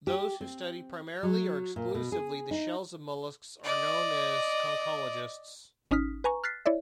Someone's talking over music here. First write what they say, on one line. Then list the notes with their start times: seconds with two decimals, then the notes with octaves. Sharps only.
Those who study primarily or exclusively the shells of mollusks are known as conchologists.
0.07 G4
0.41 C4
1.23 F#3
1.76 A#2
1.94 B2
2.12 G#4
2.51 D#4
3.64 D5 D#5
5.91 G#1 C#4 D#4 D#6 F6 B6
6.24 B4 G#5 A#5 C#6
6.44 F6 F#6 A6 B6 C7
6.66 E4 C#5 D5 E5